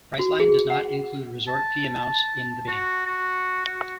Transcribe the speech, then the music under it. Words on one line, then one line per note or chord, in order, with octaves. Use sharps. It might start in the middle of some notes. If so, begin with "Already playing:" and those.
Priceline does not include resort fee amounts in the bidding.
F#4
G#4
F#5
A5
A5
F#4
F#4
F#4